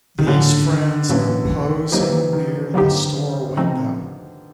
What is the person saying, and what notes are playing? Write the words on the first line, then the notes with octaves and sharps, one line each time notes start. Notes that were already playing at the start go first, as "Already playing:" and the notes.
These friends are posing near the store window.
D#3
A2 D3 F#3 A#3 C#4
A2 E3 F#3 A#3 C#4
F3 F#3 A#3 D#4 G4
E3
D#3
E3
D#3
D3 F#3 A#3 D#4 G4
C#3 F3 A3 C4 D#4